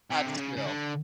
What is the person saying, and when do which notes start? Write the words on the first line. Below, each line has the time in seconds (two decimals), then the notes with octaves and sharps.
That's true.
0.10 C3
0.26 D3
0.37 C#3
0.57 C#3
0.65 D3